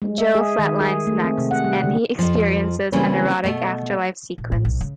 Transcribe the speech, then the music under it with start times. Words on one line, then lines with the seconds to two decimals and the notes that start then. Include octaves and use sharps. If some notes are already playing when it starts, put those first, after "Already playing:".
Joe flatlines next, and he experiences an erotic afterlife sequence.
0.02 G#3
0.18 E5
0.35 G#4
0.59 D#3
0.81 G#4
1.07 A3
1.24 C4
1.38 C3
1.51 F#5
1.64 G3
1.84 D3
2.19 F2 F3
2.92 C#3 E3 G3 A#3 C4 C#4
3.44 B2 A3
4.38 A#1
4.52 A2
4.65 B1
4.81 C#3